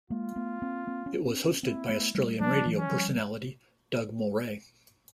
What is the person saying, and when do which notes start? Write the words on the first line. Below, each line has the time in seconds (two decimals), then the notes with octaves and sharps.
It was hosted by Australian radio personality Doug Mulray.
0.10 G#3 A#3 F4
0.36 A3 B3
0.62 A#3 C4
0.87 A#3 C4
1.06 B3 C#4
1.25 C4 D4
1.44 B3 C#4
1.63 A#3 C4 E4
1.89 A3 B3
2.15 G3 A3
2.40 F3 G3 D4
2.66 E3 F#3
2.78 C#4
2.91 F3 G3